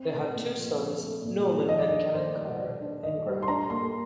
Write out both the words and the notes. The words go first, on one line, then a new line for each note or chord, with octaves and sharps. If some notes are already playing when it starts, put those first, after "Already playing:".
They had two sons, Norman and Kenneth Carr Ingraham.
Already playing: C4
A3
A#2
F3
C4
A3
A#2
F3
D#3 D#5
D5
D4 D#5
D#3 C5
G3
D#3 D5
D4
D#3 D#5
G3
C6
D4 A#5
A#3 C6